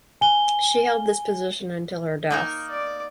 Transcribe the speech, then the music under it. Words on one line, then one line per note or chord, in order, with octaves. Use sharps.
She held this position until her death.
G#5 G7
A#3 D#4 A#4
D5 D6